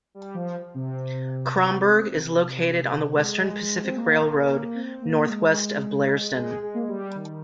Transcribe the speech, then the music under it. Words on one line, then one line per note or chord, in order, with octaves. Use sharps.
Cromberg is located on the Western Pacific Railroad, northwest of Blairsden.
G3
F3
C3
C3
G#3
C4
A#3
C4
A#3
G#3
G#3
G#3
A#3
G#3
G3
D#3